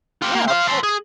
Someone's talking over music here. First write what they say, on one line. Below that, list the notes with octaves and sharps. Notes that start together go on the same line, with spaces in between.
Yeah, of course.
F4 G4
A#3
C5 F5
A4 C5
G#4